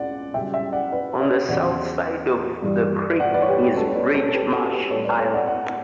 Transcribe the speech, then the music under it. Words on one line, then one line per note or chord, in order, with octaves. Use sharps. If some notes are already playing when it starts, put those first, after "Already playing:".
On the south side of the creek is Bridgemarsh Island.
Already playing: C#2 D5 F#5
F#2 C#3 G3 E5 G5
E5 G5
D5 F#5
B4 D5
C#5 E5
E2 C#3 F#3 D5 F#5
G2 E3 G3
D5 F#5
B4 D5
C#5
G4 B4
G4 B4
C#2 B2 G3 A4 C#5
C#5
B4 D5
A4 C#5
A4
G4 B4
F#4 A4
G4 B4
A2 G3 A4 C#5
B4 D5
A4 C#5
D5 F#5
D5 F#5